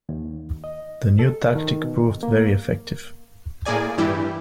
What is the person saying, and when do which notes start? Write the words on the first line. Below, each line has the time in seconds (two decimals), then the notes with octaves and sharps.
The new tactic proved very effective.
0.09 D#2
0.64 D#5
1.19 A4
1.55 D#3
1.84 B2
2.23 A#3
3.65 A2 A#3 G#4 D5 G#5
3.98 G2 E3 G3 E4 G4